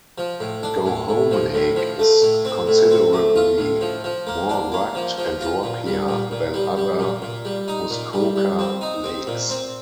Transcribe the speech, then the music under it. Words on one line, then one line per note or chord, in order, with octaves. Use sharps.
Go Home Lake is considerably more rugged and rockier than other Muskoka lakes.
F3
A2
D4
A2
A2
F3
A2
F3
A3
A2
C4
A2
C4
A3
F4
A2
F3
F3
A#3
D4
A#3
F3
F3
F4
A#2
G3
A#2
A#2
G3
G3
A#2
A#2
G3
D#4
A#2
G3
G3
C4
D#4
C4
A#2
C4